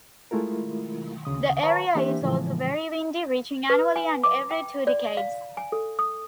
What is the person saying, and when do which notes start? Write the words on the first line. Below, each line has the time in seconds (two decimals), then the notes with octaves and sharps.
The area is also very windy, reaching annually and every two decades.
0.31 G#3 A3 E4 F4 A#4
1.25 D2 C#3 D#6
1.63 B4 C#5 F5 A5 A#5 C#6
1.95 E3 A#3 D4 G4 C5 E5
2.22 A2 C#3 E3 F3 G#3
3.70 B4
3.96 G#5
4.23 D6
4.51 G5
4.87 D5
5.17 F5
5.57 G#5
5.72 A4
5.99 D#6